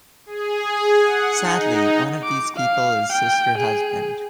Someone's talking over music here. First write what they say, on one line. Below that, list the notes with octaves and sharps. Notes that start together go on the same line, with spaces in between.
Sadly, one of these people is Sister Husband.
G#4
F#5
D#4
D6
F5
G5
G#4